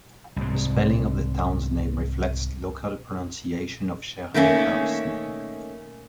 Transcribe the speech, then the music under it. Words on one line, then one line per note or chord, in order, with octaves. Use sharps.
The spelling of the town's name reflects local pronunciation of Scherneckau's name.
C2 G#2
D#3 A3 A#3 C#4